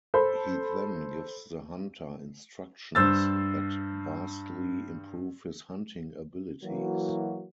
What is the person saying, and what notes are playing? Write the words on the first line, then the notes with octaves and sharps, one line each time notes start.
He then gives the hunter instructions that vastly improve his hunting abilities.
A4 C5 B5
G2 C5 E6 A6
E3 F#3 A#3 E4 F#4